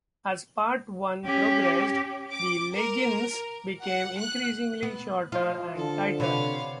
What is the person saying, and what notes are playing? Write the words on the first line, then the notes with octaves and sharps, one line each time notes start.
As Part One progressed, the leggings became increasingly shorter and tighter.
C#4 G4
D6
A#4
F#5
F#6
B3
F3 F4 D#5 C6
D3 A4
C3 B4 C#5 D5 F5 F#5